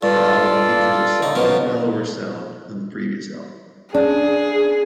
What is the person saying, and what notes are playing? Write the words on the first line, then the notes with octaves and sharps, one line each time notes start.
The album features a softer, mellower sound than the previous album.
G2 F4 A4 D5
D#4
F#2 B2 F3
D4 G#4